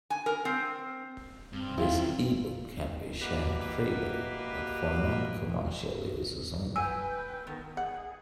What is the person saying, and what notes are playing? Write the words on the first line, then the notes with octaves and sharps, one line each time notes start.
This e-book can be shared freely but for non-commercial uses only.
G#5
A#4
C4
G2 C4
F#2 D#3 E4 F4
A#3 F#4 G4 B4 D#5 E5
B4 G5 G#5 E6
D#3 B3 A#4
G#4 F#5